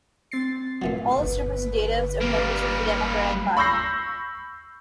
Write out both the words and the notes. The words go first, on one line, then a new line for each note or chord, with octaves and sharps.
All its representatives are members of the Democratic Party.
C4 A6 C7
A#2 E3 F#3
G1 D3 B4
G3 A#3
B5 C#6 E6 G6 A#6 C7